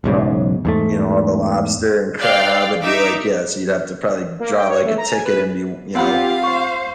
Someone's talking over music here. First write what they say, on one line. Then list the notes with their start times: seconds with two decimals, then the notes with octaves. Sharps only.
um, you know, all the lobster and crab. It'd be like, yeah, so you'd have to probably draw, like, a ticket and be w you know,
0.04 E1 B1 G#2 C#3
0.65 E2 G#2 A3
2.20 D5 F5 G5
2.84 D#4 E5 D6
4.40 A#3
4.56 G5
4.68 C#5
4.85 A3
4.98 A#5
5.12 G#5
5.25 B4
5.95 C4 F4 G4 F5 F#5 B5
6.44 C5 C#6